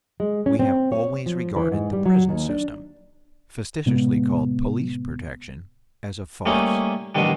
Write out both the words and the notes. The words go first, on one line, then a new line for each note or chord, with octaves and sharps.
We have always regarded the present system--facetiously called police protection--as a farce.
G#3
C#4
C4
C#5
F3
E3
G#2
G3
F#3
D#2
D4
A2 C3 G#3 B3
G3 A3 A#3 C#4 D#4
A1 B2 D3 D#3 G3